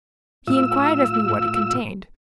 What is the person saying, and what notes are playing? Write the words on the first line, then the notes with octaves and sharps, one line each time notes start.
He inquired of me what it contained.
A2 F4 E6